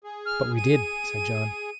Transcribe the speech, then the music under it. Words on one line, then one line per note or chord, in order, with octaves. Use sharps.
"But we did," said John.
G#4
F6
D#7